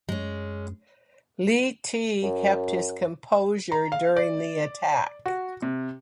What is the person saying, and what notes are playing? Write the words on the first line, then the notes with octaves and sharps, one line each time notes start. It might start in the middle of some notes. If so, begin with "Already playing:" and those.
Li Te kept his composure during the attack.
F#2 G#3 C#4
F#2
A#5
F5
D5
F#4
C3